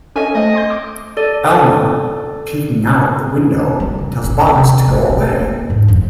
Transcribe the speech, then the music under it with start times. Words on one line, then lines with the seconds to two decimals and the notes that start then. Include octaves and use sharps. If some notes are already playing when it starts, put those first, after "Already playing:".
Elmer, peeking out the window, tells Bugs to go away.
0.16 C#4 A4 D#5 G#5
0.35 A3 C4 D#5
0.55 C6 G6
0.70 D6
1.17 A4 D5
3.80 G3
3.98 C#3
4.24 C#4
4.41 D#2
4.58 C3
4.87 C4
5.10 C#4
5.39 A#3
5.70 G#2
5.88 F2